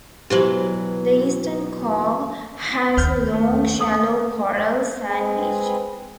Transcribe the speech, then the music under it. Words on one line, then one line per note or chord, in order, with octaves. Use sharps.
The eastern cove has a long shallow coral sand beach.
B2 E3 F#3 G4 C5 F#7
D#2 F6 G6
A3
A3 A4 D#6
G#3 C4 G#4 B4